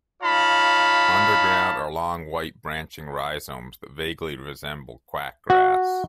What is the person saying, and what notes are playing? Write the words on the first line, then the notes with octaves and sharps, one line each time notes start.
Underground are long white branching rhizomes that vaguely resemble quackgrass.
D#4 F4 C#5 F5 A5 B5
F#4